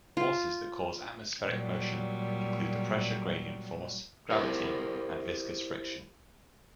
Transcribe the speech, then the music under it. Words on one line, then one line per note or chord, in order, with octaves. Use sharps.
Forces that cause atmospheric motion include the pressure gradient force, gravity, and viscous friction.
F4
A#2 F#3 G3
E4 G4 A#4 C5